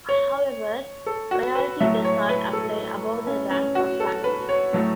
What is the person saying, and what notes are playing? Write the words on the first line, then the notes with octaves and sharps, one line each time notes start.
However, priority does not apply above the rank of family.
C#5
A4
F#4
B4
A2 F#3 A3 E5
C#5
B4
A4
C#4
C#4
F#4
A4
B4
C#5
A2 F#3 A3